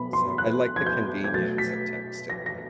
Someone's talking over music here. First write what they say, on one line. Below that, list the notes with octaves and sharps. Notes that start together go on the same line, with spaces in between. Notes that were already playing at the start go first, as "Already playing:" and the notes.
So I like the convenience of texting.
Already playing: B2 F#3 B3 B5
C6
F#6
G#6
G6
G#6
B2 F#3 A3 A6
B6
A#6
A#6